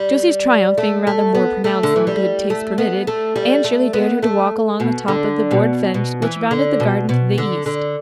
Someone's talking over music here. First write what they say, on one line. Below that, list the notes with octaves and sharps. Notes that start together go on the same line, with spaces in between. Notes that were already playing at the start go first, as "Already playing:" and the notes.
Josie's triumph being rather more pronounced than good taste permitted, Anne Shirley dared her to walk along the top of the board fence which bounded the garden to the east.
Already playing: G3
A3
A3
B3
A3
D3
E3
G3
A3
B3
A3
G3
A3
B3
A3
B2
D3
B2
B2
E3
D3
B2
B2
D3
D3